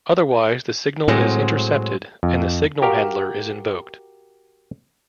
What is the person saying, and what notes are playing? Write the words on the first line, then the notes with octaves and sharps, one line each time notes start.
Otherwise the signal is intercepted and the signal handler is invoked.
A2 F#3 G#3 C4
F2
F#4 G4 A#4 F5